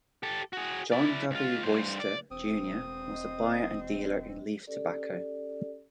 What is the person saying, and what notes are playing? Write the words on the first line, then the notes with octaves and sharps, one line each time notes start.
John W. Royster, Junior was a buyer and dealer in leaf tobacco.
G4 A4
F#4 G#4
E4 D5
C#2 F4
G2 C5
D5
E1 C4 D#6
D#5
C#4 G4 A4 D5